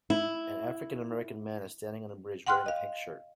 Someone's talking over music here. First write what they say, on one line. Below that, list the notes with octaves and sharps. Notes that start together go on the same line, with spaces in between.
An African American man is standing on a bridge wearing a pink shirt.
E4
F#5 G5 C6 F6 F#6
D#5 F5